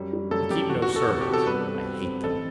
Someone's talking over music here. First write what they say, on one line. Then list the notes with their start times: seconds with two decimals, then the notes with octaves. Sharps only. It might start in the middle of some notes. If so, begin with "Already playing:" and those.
We keep no servants--I hate them.
Already playing: F#2 G3
0.13 G3
0.31 F#2 A4
0.50 F#2 G4
0.70 E2 F#4
0.82 F#4
0.89 E3
0.96 A4
1.08 C3
1.21 G4
1.28 B3
1.34 A4
1.46 G2 B4
1.66 C4
1.84 C4
2.04 C4
2.23 A1 A4